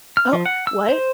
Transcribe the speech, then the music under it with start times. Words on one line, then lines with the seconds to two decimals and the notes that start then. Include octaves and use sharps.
Oh what?
0.17 F6
0.33 F3
0.46 F#5
0.67 E6
0.89 C5